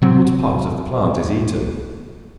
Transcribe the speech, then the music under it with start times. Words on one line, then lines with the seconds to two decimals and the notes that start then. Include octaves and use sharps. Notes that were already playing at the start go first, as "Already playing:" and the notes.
What part of the plant is eaten?
0.02 C3 F#3 C4